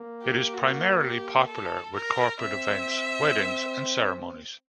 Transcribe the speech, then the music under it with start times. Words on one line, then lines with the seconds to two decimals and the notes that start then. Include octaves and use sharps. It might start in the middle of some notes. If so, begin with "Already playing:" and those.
It is primarily popular with corporate events, weddings and ceremonies.
Already playing: A#3
0.22 G4
0.53 F#4
1.01 G4
1.47 A4
1.94 A#4
2.40 C4 E5